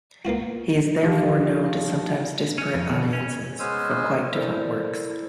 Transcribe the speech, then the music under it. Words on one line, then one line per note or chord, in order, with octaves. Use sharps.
He is therefore known to sometimes disparate audiences for quite different works.
A#3 B3 F4 F#4
D#3 F3 F4 G4
C#4
F2
B2
C#4
G#3 B3 C#4 C5 G#5 E6
E4 A4 A#4 C5 D5